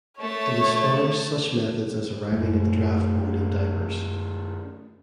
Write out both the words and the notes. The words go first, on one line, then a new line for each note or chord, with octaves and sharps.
It espoused such methods as arriving at the draft board in diapers.
A3 C#5 A5
F#2 A3